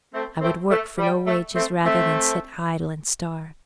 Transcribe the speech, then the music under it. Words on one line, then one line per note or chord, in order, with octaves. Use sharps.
I would work for low wages rather than sit idle and starve.
A3 C4
A3 C4
A3
G3
A3
A3 C4
A3 C4